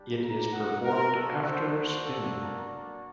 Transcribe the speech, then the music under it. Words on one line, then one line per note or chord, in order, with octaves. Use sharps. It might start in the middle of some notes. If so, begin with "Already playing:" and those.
It is performed after spinning.
Already playing: G3 D4 G4
A#5
F#5
A#4
A#3 D4 F#4 A4
C5
C5
A4
A#4
D5